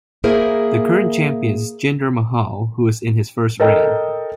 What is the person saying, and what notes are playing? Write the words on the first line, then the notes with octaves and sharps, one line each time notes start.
The current champion is Jinder Mahal, who is in his first reign.
A#3 E4 G#4 A#4 C5
A4 A#4 D#5 G5